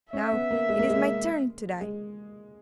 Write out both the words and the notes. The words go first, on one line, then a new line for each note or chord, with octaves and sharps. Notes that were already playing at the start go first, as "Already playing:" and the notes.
'Now it is my turn to die.
C#4 E5
B3
A#3
G#3
A#3
G#3
G#3